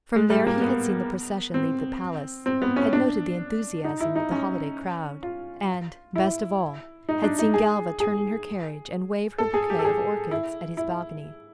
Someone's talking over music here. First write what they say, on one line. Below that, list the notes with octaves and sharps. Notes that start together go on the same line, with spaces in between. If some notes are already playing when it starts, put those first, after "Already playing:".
From there he had seen the procession leave the palace, had noted the enthusiasm of the holiday crowd, and, best of all, had seen Galva turn in her carriage and wave her bouquet of orchids at his balcony.
G#3
G3
A#3
B3
C4
C4
B3
C#4
D4
D#4
E4
D#4
C#4
F4
E4
D#4
D4
D#4
G#4
G#4
A4
G#4
G4
A4
G#4
E4
E4